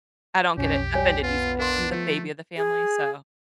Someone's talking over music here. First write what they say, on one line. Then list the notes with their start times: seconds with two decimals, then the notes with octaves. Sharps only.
I don't get, eh, offended easily. I'm the baby of the family, so
0.58 B1 F2 C#4 G4
0.93 G3 C#5 G#5
1.23 B3 F4
1.59 D4 A#4 F5 C6
1.92 F3 A3
2.57 G#4